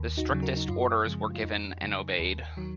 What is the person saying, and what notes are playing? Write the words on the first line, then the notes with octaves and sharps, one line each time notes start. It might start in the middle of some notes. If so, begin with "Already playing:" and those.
The strictest orders were given and obeyed.
Already playing: D#2
D#4 F#4
C#3 F#3
F#4 A#4
D#4
F#2 F4
C#3 F3 G#3
F4
F2 D#4
C#3 F#3
D#2
D#3 F#3